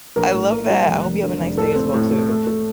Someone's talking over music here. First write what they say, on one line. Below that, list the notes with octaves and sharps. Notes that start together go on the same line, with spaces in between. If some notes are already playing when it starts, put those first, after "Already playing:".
I love that, I hope you have a nice day as well, too.
A#1 A#4
A2
A#3
G3
F1
F1
D3
F1
A2 A4
C4
A2
A3
A3
A3